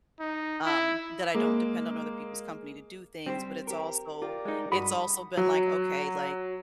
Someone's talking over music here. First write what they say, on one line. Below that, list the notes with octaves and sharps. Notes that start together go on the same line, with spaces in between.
um, that I don't depend on other people's company to do things, but it's also it's also been like, "Okay." Like,
D#4
E4
G#3 A#3
G3 C4 G4 C5
G4 A#4
F4 G4 A#4 D5
G#3 D#4
G2 F#4 B5 D#6
F#3